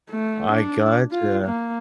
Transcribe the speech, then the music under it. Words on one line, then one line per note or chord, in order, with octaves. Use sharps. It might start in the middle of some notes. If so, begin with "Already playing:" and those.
I gotcha.
A3
D4
F4
A#3